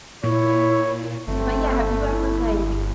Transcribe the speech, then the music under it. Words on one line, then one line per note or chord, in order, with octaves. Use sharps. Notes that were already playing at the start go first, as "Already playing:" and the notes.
but, yeah, have you ever, like,
A#2 E4 C#5
G1 A3 C4
E4